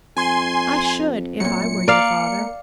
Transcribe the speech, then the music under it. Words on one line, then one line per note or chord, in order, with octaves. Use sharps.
"I should, if I were your father."
F2 G#5 C6
F#2 A#2 C#7
A#3 A#4 D5 F5